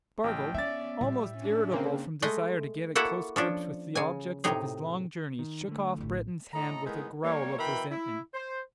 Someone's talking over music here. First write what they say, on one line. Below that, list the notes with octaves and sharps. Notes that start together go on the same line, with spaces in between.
Spargo, almost irritable from desire to get at close grips with the objects of his long journey, shook off Breton's hand with a growl of resentment.
A1 G5
B3 C#4 D5 E5 A6
A2 G3
C#4 D4
C#3 A#3 C4
G#3 A3 D#5
A#3 E4 F#4 A4 F#5
F3 C#4 D4
C#3 G#5
A2 C3 D#4 G#4
D#3
D3 A3
A1 E4
A2 A4 D#5 A#5
A2 D#3 E3 G#3 B3 D#4
G3 A#3 C#5
B2 E3 A#4 E5 G5 B5
E4
C5